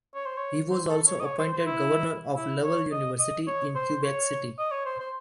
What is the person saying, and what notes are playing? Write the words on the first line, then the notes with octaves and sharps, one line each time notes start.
He was also appointed Governor of Laval University in Quebec City.
C#5
C5
C#5
C5
A4
C#5
D#5
C#5
C5
C5
E4
E4
C#5
D#5
D#5
C#5
C5
C#5
D#5
C#5
C5
C5